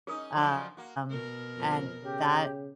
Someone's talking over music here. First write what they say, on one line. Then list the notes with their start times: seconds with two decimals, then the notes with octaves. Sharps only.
Um, and that
0.07 C#4 D#4 G#4 A#4 D#6
0.35 D3 F3 F#3 C6
0.77 A#3 F#4
1.11 B2 A#4
1.57 F2
2.03 C#3 G4